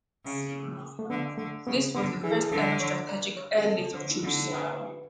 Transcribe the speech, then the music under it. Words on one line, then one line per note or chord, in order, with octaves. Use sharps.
This was the first-ever strategic airlift of troops.
C#3
A3
D3 B3
D3 A3
C#3 B3
D3 B3
E3 G#4
A4
G#4
D3 A4
C#5
D5
C#5
G#4
A4
D3
D3
B4